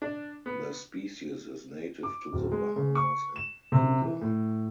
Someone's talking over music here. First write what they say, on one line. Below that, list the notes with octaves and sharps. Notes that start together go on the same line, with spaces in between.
The species is native to the Bahamas and Cuba.
D4
B3
D6
D1
G#3
C#3
C#6
E7
C3
E3
A2